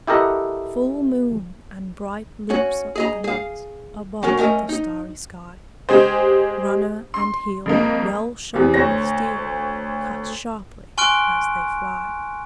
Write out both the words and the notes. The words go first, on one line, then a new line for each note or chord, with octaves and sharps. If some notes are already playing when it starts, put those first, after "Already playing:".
Full moon and bright loops up the night Above the starry sky. Runner and heel, well shod with steel, Cut sharply as they fly.
E4 G4 A4 A#4 D#5 F#5
C#4 F#4 C#5
G#4 D#5 A#5
G#4 F5
F#3 C#4 A#4
A3 C#4 A#4 D#5
D#4
G#3 G4 G#4 C5
C6
F2 G#3 A#3
E2 C3
D2 C5 C#5 A#6
G#5 C6 C#6 F6 F#6 D7